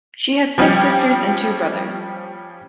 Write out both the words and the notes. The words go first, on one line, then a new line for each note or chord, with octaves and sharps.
She had six sisters and two brothers.
F3 G3 C#4 G4